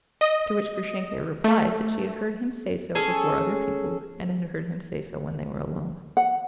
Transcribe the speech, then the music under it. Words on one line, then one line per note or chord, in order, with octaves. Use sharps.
To which Grushenka replied that she had heard him say so before other people, and had heard him say so when they were alone.
D#5
A3
C#4 G#4 A4
F#5